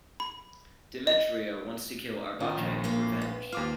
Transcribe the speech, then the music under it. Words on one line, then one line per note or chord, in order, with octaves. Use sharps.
Demetrio wants to kill Arbace in revenge.
B5
D#5
D#3 C#4 F4
A#1
A#3 F4
B3
D#2 C4 F4 D6 F6